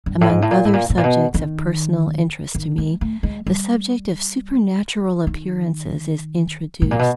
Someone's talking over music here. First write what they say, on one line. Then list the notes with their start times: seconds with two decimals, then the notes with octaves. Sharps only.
Among other subjects of personal interest to me, the subject of supernatural appearances is introduced.
0.06 G2
0.21 A2
0.29 G#2
0.42 A2
0.51 A#2
0.65 A2
0.73 A#2
0.90 A2
0.98 A#2
1.04 B2
1.34 D#3
2.55 D#3
2.78 G#3
3.01 A3
3.23 G#3
3.47 G3
5.27 D#3
6.82 A2
6.91 A#2
6.99 B2